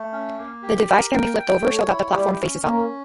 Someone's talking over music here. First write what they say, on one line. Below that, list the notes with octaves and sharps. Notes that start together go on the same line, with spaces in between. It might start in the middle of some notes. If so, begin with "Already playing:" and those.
The device can be flipped over so that the platform faces up.
Already playing: A3
C#4
A#3
G4
A#4
A#3 G5
G5
A3 C#5
E4
G3 G4
C#4
A#3 C#4